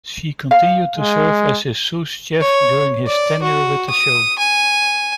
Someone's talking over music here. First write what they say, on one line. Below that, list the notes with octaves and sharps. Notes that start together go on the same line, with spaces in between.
She continued to serve as his sous chef during his tenure with the show.
F5
G#3
C#5
D5
F#4
D#6
G#5